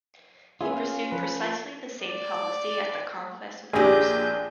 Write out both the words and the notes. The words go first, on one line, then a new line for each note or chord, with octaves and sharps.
He pursued precisely the same policy at the conquest of Jerusalem.
B3 C#4 F4 G#4 E5
F5
F3 B4
D5
A#1 C#4 D4 G4 G#4 G6 A#6